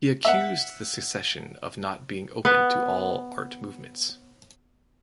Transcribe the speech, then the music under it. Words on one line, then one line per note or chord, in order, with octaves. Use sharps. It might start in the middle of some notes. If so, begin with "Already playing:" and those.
He accused the Secession of not being open to all art movements.
E5 F#5
B3 B4